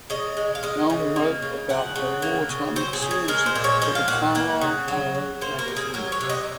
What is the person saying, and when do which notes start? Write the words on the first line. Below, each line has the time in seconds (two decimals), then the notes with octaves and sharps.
Elm wrote about her wartime experiences for the "Carlisle Arrow" magazine.
0.10 C#3 D#5
0.37 G#3
0.55 F5
0.63 G#3 D#5
0.90 C#3
1.16 A#3
1.42 C#3
1.69 F3 F#5
1.96 C#3
2.22 A#3
2.49 C#3
2.76 F#3 C5
2.93 G#4
3.02 C#3
3.11 G#4
3.28 G#3 A#4
3.46 C5
3.55 A#2
3.64 C#5
3.82 F3 D#5
3.95 F5
4.08 A#2 F#5
4.35 A#3 F#5
4.61 C#3
4.88 F#3
5.15 C#3
5.41 A#3 C5
5.59 A#4
5.68 C3
5.77 G#4
5.94 F#3 A#4
6.12 C#5
6.21 C3
6.29 D#5